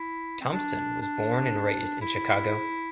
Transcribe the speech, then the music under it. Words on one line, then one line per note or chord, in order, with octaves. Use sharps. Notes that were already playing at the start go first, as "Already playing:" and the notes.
Thompson was born and raised in Chicago.
Already playing: E4
C4
D4
D4
E4